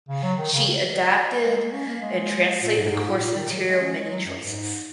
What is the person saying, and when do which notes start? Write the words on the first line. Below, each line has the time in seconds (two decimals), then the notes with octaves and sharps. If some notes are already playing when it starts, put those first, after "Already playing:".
She adapted and translated the course material "Many Choices".
0.09 C#3
0.22 F#3
0.38 D#3
0.53 C#3
1.44 G#3
1.58 A#3
1.73 C#4
1.87 A#3
2.02 G#3
2.62 A#2
2.77 G#2
2.91 G#2
3.07 A#2
3.21 A#2
3.36 D#3
3.51 F#3
3.67 G#3
3.81 C#4
3.96 G#3
4.10 F#3
4.25 F#2
4.41 G#2